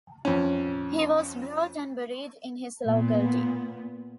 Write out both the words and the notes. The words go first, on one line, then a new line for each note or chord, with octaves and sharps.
He was brought and buried in his locality.
F2 C#4
A#2 B3